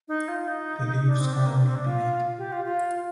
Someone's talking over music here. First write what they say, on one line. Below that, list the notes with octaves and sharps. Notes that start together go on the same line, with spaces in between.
The leaves are bipinnate.
D#4
F4
D#4
D4
C4
D4
A#3
D4
C4
D4
F4
G4
F4
F4